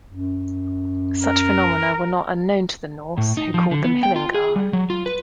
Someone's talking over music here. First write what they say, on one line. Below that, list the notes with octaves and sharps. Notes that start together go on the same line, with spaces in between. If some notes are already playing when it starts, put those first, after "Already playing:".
Such phenomena were not unknown to the Norse, who called them "hillingar".
F#2
A#4
A2
D#4
F3
D3
B3
G5
F4
G#4
G3
F#3
F4
B4